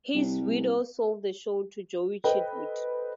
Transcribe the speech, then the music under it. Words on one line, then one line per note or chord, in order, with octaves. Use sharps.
His widow sold the show to Joie Chitwood.
C2
A4 B4 C5 D#5 G5